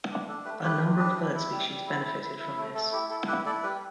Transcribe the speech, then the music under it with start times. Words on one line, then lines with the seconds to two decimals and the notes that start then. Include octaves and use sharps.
A number of bird species benefitted from this.
0.10 D4
0.28 D4 A4
0.45 A3 G4 B4
0.63 A3 G4 B4
0.81 D4
0.98 D4
1.16 E4
1.34 E4
1.51 G3
1.70 G3
1.87 E4
2.05 E4
2.22 E4
2.39 E4
2.57 A3
2.74 A3 A4
2.92 E4 G4
3.10 E4 A4
3.27 E4 G4 B4
3.45 E4 A4 D5
3.63 G3 G4 B4